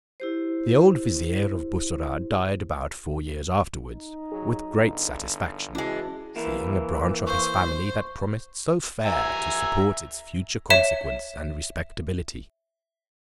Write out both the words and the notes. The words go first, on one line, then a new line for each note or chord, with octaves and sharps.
The old vizier of Bussorah died about four years afterwards with great satisfaction, seeing a. branch of his family that promised so fair to support its future consequence and respectability.
E4 G4 C5
D#4
F#3 G#4
G1
E3 G#3 C#4 D4 E4 F#4
E3 A#3 E4 A#4
C5 C#6
E5 G#5 A#5
C#5 E5 E7